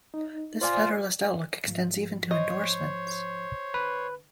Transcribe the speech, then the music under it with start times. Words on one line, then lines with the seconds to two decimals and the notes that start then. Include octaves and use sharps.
This federalist outlook extends even to endorsements.
0.14 D#4
0.61 F4 C5 D5 G#5
1.64 G#2 F3
2.31 C5 C#5 D#5
3.74 D3 B4